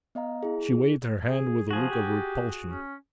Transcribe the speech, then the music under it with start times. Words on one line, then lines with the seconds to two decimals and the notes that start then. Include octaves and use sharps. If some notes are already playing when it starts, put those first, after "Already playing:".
She waved her hand with a look of repulsion.
0.15 B3 D#5 F5 A#5
0.43 E4 G#4
1.27 G#4
1.71 F3 F#4 G#4
1.90 G4
2.66 C#4